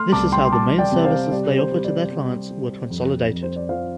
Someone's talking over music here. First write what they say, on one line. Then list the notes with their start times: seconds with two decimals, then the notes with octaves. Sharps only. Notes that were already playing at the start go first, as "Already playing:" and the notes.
This is how the main services they offer to their clients were consolidated.
Already playing: A3 C6 F6
0.12 C2 A5 D6
0.32 G5 C6
0.45 C6
0.52 C2 A5 D6
0.78 D5 G5
0.92 C3
1.05 C5 F5
1.32 G3 D5
1.58 C5
1.71 G3
1.84 D5
2.11 G3
2.50 G3
2.90 F2
3.30 F2
3.43 C5
3.56 D5
3.69 F3 C5 F5